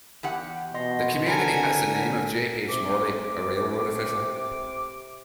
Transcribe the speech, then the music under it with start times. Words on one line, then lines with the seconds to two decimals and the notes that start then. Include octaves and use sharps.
The community has the name of J. H. Morley, a railroad official.
0.23 E2 G4 F#5
0.74 B2 D#5 C6 A#6
1.26 D3 B3 A#4 G#5 A5 C#7
2.69 C3 D6